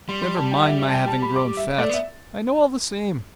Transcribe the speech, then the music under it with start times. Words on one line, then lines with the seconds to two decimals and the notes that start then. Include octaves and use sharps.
Never mind my having grown fat, I know all the same.
0.09 G3 C6
0.22 C6
0.37 A5
0.51 G5
0.61 F#5
0.65 E5
0.80 E5
0.88 A5
0.94 G5
1.07 A5
1.22 B5
1.36 D6
1.57 E5
1.78 A3 D5
1.89 B3
1.94 E5